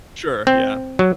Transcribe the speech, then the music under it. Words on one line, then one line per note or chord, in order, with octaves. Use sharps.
Sure, yeah.
C4
F#3